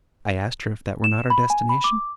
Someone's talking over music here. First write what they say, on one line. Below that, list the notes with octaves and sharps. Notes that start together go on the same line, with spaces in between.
I asked her if that were not our destination?
E7
B5
G#5
B5
D6